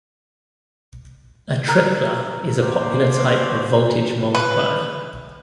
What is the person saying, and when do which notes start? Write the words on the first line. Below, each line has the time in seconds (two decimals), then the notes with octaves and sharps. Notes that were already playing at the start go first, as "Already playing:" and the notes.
A tripler is a popular type of voltage multiplier.
1.68 A#4
2.59 B2 D3 A#3 G4 C5
4.35 B4